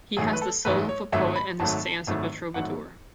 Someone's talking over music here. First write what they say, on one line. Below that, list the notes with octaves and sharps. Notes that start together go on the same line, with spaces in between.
He has the soul of a poet and the stance of a troubadour.
A1 G#2 F#3 A3 G#4
B4
A4
A1 G#2 F#3 A3 B4
C#5
G#1 G#2 F#3 A3 E5
B5
G#1 G#2 F#3 A3 A5
G#1 G#2 F#3 A3
G#1 G#2 F#3 A3 F#5